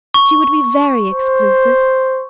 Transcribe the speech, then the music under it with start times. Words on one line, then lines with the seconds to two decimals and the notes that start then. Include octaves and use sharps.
She would be very exclusive.
0.14 C#6
1.12 C5